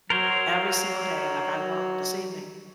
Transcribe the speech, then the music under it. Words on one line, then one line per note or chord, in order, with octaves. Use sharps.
every single day, like, I worked this evening,
F#3 A#4 C5 C#5